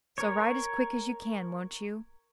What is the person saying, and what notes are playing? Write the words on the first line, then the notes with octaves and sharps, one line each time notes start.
So write as quick as you can, won't you?
A#4 C#5